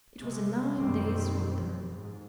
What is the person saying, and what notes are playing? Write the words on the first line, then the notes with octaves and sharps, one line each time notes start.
It was a nine days' wonder.
C3 G#3 A3
F#2 B2 D#3 G3 C4
F#2
G#2